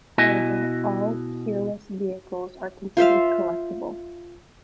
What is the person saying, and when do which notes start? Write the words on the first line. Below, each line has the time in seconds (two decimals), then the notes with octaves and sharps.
However, all Peerless vehicles are considered collectible.
0.18 B2 E4 F#4 D#5 G#5
2.97 F4 C5 E5 F5